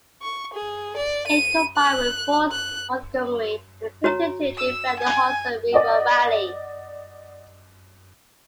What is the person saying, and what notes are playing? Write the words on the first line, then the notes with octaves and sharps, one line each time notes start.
It combined with Forts Montgomery and Clinton to defend the Hudson River Valley.
C#6
G#4
D5
D#7
F#6
F#6
F#4 C#5 A#5
E6
G#5
D5 D#5 F#5